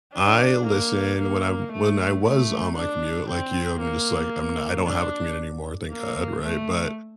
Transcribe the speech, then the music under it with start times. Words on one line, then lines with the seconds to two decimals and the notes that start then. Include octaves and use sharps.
I listen when I'm when I was on my commute, like you, I'm just, like, I'm not I don't have a commute anymore, thank God, right, but,
0.14 D4
0.67 A#3
1.19 A#3
1.72 A3
2.24 A3
2.77 D4
3.29 C4
3.80 A#3
4.85 D4
5.91 A#3
6.42 A3